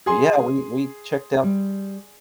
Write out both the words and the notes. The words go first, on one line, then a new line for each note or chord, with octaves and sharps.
but, yeah, we we checked out
G#4 G#5 C6
G3